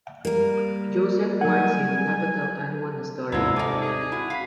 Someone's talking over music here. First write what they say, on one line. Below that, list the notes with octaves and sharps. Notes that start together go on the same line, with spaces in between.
Josef warns him not to tell anyone the story.
G3 A#3 A#4
F#3 F#5 G#5
D#2 G#2 C3 E4 F4 A4 D5 A#5
G3 D#4 A4 G#5 D6
G#4
E4 F#4
F5 B5 B6